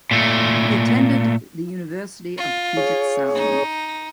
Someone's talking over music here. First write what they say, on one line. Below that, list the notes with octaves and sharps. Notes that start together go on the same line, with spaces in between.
He attended University of Puget Sound.
A#2 A3
F4
G#4 C#5
D#4